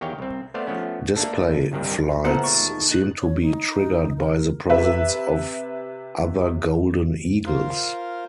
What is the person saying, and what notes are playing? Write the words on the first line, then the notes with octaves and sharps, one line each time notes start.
Display flights seem to be triggered by the presence of other golden eagles.
E2 D#3 G4 C#5 F5 G5
C2 C4
A3 B3 C5 D5 F5
F3 A3 B3 C#4
A3 A#3 D4 A4
C2 G2 D#3 G3
A#2 B3 E4 A4 C5 F#5
D#3 G#3 A5 C#6
D2
G#3 D#4 F#6
C#5
D#4
A#4
C3 B4 E5
F4 A#4 C5